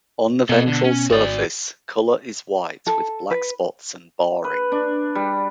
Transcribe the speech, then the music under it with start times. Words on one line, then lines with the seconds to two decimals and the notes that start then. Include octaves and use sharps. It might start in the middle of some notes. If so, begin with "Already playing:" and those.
On the ventral surface, colour is white with black spots and barring.
0.49 B2 A4 D#5
0.68 D3
0.85 C#4
1.10 G#1 F#4 D5
2.87 A4
3.31 B4
4.44 B4
4.72 D4
5.15 G3